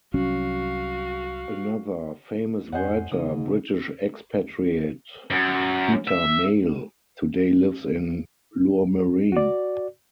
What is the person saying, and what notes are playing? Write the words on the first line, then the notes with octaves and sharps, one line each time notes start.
Another famous writer, British expatriate Peter Mayle today lives in Lourmarin.
C2 F#3 C#4 F#4 F5
F2 C5 C#5 D#5 F#5 G#5
G#2 C#3 D#6
F#2
E5
F#4 D5